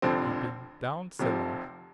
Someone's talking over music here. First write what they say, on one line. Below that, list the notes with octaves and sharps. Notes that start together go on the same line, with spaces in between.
"You been down cellar?"
F1 F2 D3 F3 C4
F1 F2 C3 F3